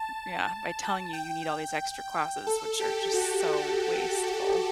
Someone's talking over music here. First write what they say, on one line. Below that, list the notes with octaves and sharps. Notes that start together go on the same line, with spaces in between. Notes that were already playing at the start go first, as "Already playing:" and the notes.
yeah, by telling you you need all these extra classes, which are just so wasteful.
Already playing: A5
G5
A4
G4
F#4